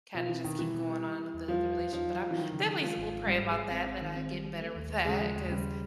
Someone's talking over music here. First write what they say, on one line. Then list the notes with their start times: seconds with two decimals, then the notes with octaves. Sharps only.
kinda just keep going on with the the relation But I'm definitely still pray about that, that I get better with that, 'cause
0.14 B2 F3
0.29 E3 C4
0.44 B2 D#3
0.59 E3 G3
0.74 B2
0.89 G3
1.04 G3
1.19 G3
1.34 E2
1.48 F3 G3
1.63 G3
1.79 E2
1.93 F3 D#4
2.08 F#3
2.23 F#3
2.31 E3
2.38 D#3 F#3
2.52 C#3
2.68 C#3
2.82 F3 G#3
2.98 G#1
3.13 G#2
3.27 G#2 G3
3.41 G#1
3.49 G#3
3.56 G#1
3.71 C4
3.86 C4
4.01 D#3
4.16 C4
4.31 G3
4.45 G3
4.61 A3
4.76 D#2
4.90 D#2
5.05 C#3 G#3
5.20 F3
5.35 D#2
5.50 C#3 G3